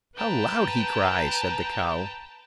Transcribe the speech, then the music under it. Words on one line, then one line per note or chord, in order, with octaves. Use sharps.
"How loud he cries!" said the cow.
B4 G5 A5 A#5